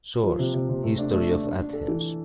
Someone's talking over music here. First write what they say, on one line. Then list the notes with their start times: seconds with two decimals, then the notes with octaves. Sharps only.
Source: History of Athens.
0.24 F3
0.39 C3
0.54 C3
0.69 C3
0.83 A3
0.98 D4
1.13 A3
1.28 D4
1.43 D4
1.58 D4
1.73 A4
1.88 E3